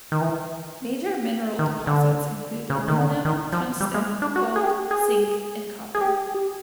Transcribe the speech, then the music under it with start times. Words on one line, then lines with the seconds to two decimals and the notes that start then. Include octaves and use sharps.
Major mineral deposits include aluminum, tungsten, gold, zinc, and copper.
0.12 D#3
0.21 E3
1.59 D#3
1.87 D3
2.70 C#3
2.88 D#3
2.97 D3
3.25 D#3
3.53 F3
3.80 G3
3.94 G#3
4.22 D4
4.36 F#4
4.56 G#4
4.63 G4
4.91 G#4
5.95 G#4
6.01 G4